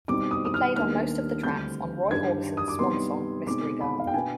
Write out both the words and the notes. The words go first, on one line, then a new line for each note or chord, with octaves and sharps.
He played on most of the tracks on Roy Orbison's swansong "Mystery Girl".
B2 G3 C4 D#4 D6
D#6
D#6
F6
D#2 D#3 G3 B3 D4 F6
D2 D3 G3 C4 G6
G2 D#3 G3 D4 G#6
D#6
D6
C3 G3 B3 D#4 C6
B2 G#3 C4 D#4 D6
B5
F5
G5
B2 B3 D4 G#5